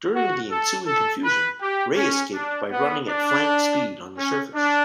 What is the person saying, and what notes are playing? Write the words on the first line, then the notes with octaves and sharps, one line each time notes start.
During the ensuing confusion, Ray escaped by running at flank speed on the surface.
F#4
A4
A4
B4
G4
C#4
D4
B3
D4
C#4
D4